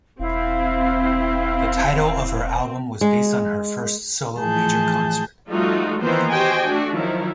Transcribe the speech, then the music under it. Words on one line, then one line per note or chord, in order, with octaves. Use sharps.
The title of her album was based on her first solo major concert.
E1 C4 E4 F5
G#3
A2 E3 F3 G#4 A5 G6
F3 G3 A3 D#4 F4 F#4
D#3 E3 A#3 B3 C5
F#4 G4 C5 D#5 G5 G#5
A3 D4 F#4
D#3 F3 F#3 E4